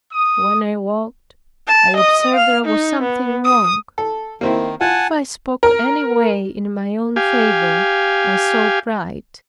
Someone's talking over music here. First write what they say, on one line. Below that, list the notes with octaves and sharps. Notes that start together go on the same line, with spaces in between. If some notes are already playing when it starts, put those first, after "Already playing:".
When I walked, I observed there was something wrong; if I spoke any way in my own favor, I saw pride.
D#6
A5
D#5 D#6
F5 F6
D#4
B3
D#6
A4
D#3 A#3 C4 E4
F4 F#5 G#5 A5
A#4
G4 F5 G#5